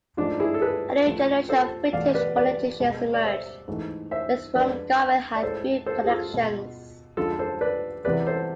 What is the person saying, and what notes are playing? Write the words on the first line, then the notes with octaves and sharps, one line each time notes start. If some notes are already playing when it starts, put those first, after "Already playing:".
A new generation of British politicians emerged with whom Garvin had few connections.
G#2 F3 A3 D4 F4
E4 G#4
A4
G#4 B4
A2 F3 A3
A4 C5
E2 B2 A3 D5 F5
B4 D5
B4 D5
B2 G#3
D5
C5 E5
G#2 E3 A3
C5 E5
F2 D3 G#3 B4 D5
D5
A2 G#3 A4 C5
A4 C5
G#4
F4 A4
B2 G#3
F2 D3 G#3 F4 A4
A4 C5
B4 D5
E2 C3 E3 G#3 B4 D5
A4 C5